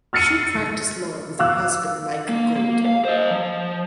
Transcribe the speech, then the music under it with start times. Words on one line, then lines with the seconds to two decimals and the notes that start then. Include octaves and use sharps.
She practiced law with her husband Mike Gold.
0.13 E6 F6 A6 C7 C#7 D#7
1.39 F5 D6 E6 F#6
2.29 A#3
2.56 A#3
2.86 F5
3.05 C5 D#5
3.31 F3